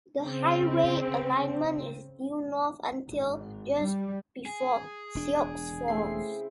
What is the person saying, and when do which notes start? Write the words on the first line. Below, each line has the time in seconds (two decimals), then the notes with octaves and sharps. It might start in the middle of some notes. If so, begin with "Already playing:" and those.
The highway alignment is due north until just before Sioux Falls.
0.18 C#3 C4
3.08 G#1
3.80 G3
4.46 G#4
5.15 E1 D4
5.88 C#3 A3 C4 E4 C7